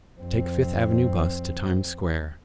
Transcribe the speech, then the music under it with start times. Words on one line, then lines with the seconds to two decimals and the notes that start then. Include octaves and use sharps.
Take Fifth Avenue Bus to Times Square.
0.19 F2 C4